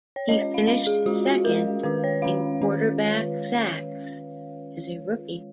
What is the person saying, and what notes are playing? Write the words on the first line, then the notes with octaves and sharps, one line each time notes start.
He finished second in quarterback sacks as a rookie.
C#5
G#3 C#4 F4 D#5
D#5
F5
G#3 C#4 F4 F5
G#4
G#3 C#4 F4 F#4
G#3 C#4 F4 A#4
D#3 G#3 C#4 F4 B4
C#5
D#3 G#3 C#4 F4 F5
D#3 G#3 C#4 F4